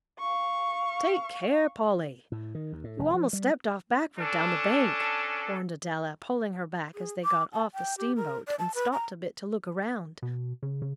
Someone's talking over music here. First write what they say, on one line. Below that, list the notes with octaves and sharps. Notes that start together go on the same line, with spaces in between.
"Take care, Polly, you almost stepped off backward down the bank," warned Adela, pulling her back, as they got off the steamboat and stopped a bit to look around.
F5 C#6
A2
D#3
D#2
A2
F1
F3
G3
C#4 D4 A4
G#4
D6
A5
G5
G4
A#4
D5
A5
B4
A#5
B2
C#3
C#3